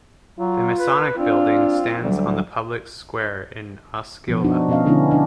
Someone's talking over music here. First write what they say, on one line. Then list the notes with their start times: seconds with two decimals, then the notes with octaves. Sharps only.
The Masonic Building stands on the public square in Osceola.
0.39 F#3 F4
0.78 B4
1.18 C4 D4 F4
2.01 D2 F#3 G3
4.28 B2 F3 B3
4.44 D4 D#4 F#4
4.69 B2 B3 C#4 D#5 F5
4.85 D3 G#3 B3 C#4 D4 E4
5.11 D4